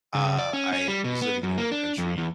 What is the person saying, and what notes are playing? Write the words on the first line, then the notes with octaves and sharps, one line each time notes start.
uh, I was living in another country,
C#3
D5
C#4
C#4
G3
B2
B3
F#2
A#3
D4
F2
E2